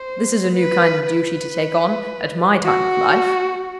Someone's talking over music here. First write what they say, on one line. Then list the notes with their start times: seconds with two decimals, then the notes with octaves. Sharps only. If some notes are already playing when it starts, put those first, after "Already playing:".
This is a new kind of duty to take on--at my time of life.
Already playing: C5
0.54 B4
1.07 B4
2.65 F#4